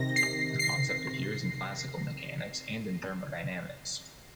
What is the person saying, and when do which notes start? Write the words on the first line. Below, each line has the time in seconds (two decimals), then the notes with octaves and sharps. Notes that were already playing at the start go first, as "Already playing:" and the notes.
The concept appears in classical mechanics and in thermodynamics.
Already playing: C3 D#3 A#6
0.16 C7
0.59 C7